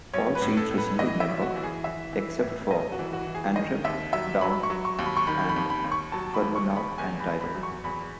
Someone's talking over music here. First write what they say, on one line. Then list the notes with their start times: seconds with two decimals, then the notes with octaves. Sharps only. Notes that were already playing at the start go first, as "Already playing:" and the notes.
All seats were single member, except for Antrim, Down and Fermanagh & Tyrone.
0.14 B1 C#5
0.35 B4
0.42 A2
0.57 A4
0.71 A2
0.78 B4
0.99 E3 D#5
1.20 E5
1.28 B1
1.42 F#4
1.56 E3
1.63 G#4
1.84 E3 E5
2.13 E3
2.42 A2
2.71 B1 D#5
2.92 F#4
2.99 E3
3.13 F#4
3.27 E3
3.35 G#4
3.56 D#3 D#5
3.84 D#2 E5
4.13 F#3 E5
4.41 F#3 B5
4.63 C#6
4.70 F#3
4.85 C#6
4.99 D#2
5.06 B5
5.17 C#6
5.27 D#3 B5
5.49 B5
5.56 D#2
5.70 B5
5.84 D#2
5.92 C#6
6.12 F#3 A5
6.34 B5
6.42 D#2
6.56 C#6
6.70 D#2
6.76 B5
6.98 E2 G#5
7.20 B5
7.27 E2
7.41 B5
7.55 F#3
7.63 C#6
7.84 E2 B5